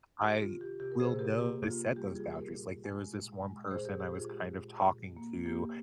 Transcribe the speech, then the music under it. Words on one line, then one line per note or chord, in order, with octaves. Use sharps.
I will know to set those boundaries, like there was this one person I was kind of talking to,
D#3 G4 A#4
F4
C3
G4
C3 G4
A#4
G#4 C5
C3
G4 A#4
A#3 G4
A#3 F4
G3 G4
F4 G#4
A#2
G4 A#4
A#2
G#3
A#2
G#3
A#2 G#4 C5
G4 A#4
A#2 G4
F4 G#4
G#3 G4
A#2
A#2
A#3
A#3 G4